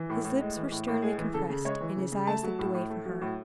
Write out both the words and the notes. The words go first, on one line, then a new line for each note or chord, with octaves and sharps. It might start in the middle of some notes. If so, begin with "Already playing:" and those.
His lips were sternly compressed, and his eyes looked away from her.
Already playing: E3
A2
A2
G#3
E3
A2
A2
G#3 G#4
E3
C#3 A4
C#3
G#3 C#5
E3
C#3
C#3
A3 A5
F#3
A2
A2
A3
F#3
A2